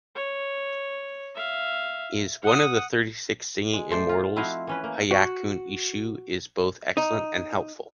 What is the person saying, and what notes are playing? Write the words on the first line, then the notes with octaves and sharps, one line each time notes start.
Is one of the thirty-six singing immortals. Hyakunin Isshu is both excellent and helpful.
C#5
E5 F5
F#5 D#6
G#3
A3 C5 D5
F4
F3 C4 E4 F#4 D#5 F5
E3 C#4 B4
A#3
F#4
D#4